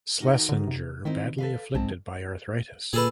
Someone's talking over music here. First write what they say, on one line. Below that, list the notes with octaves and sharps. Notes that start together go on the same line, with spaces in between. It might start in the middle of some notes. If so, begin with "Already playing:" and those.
Schlesinger badly afflicted by arthritis.
D#3 F#4 A#4
D3
C3
D#3 C4 D#4 E4
A4 B4 F5
B1 G#2 C4 A5
A#2 G#4 A4 B4